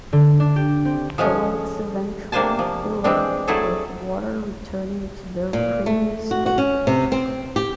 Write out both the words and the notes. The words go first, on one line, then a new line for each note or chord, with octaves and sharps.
The lakes eventually fill up with water returning to their previous state.
D3
D4
G4
C4
F3 G#3 A3 C#4
C3 A#3 D4 C5 G#5 A5
F3
E3 G#3 C4 D4
F#3 A3 E4 G#4 A4
A#2
A3
F#4
F#4
C#4
C3
C4
G4